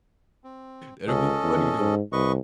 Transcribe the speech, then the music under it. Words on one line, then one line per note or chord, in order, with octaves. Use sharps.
That'd be funny though.
C4
C#2 C#4 A4 D#5
E2
G#2
C2 B4 D#5 C#6